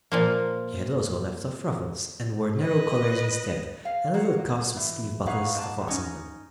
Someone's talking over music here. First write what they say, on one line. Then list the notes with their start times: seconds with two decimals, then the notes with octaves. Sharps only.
She had also left off ruffles, and wore narrow collars instead, and little cuffs with sleeve-buttons to fasten them.
0.12 A#2 F3 A#3
2.58 B4 D#5
3.85 F5
4.14 F#3 A#3 F#5
4.76 E3
5.26 D#4 B4 C#5 F5 F#5
5.54 G#2 B3 A5
5.88 C#4 D#4